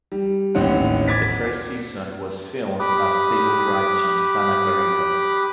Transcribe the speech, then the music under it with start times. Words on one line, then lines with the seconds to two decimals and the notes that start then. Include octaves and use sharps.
The first season was filmed at Sable Ranch in Santa Clarita.
0.12 G3
0.55 A1 D#2 C4 C#4 F#5
1.08 D6 G#6 A6 B6
2.80 G4 B5 D6 D#6 F#6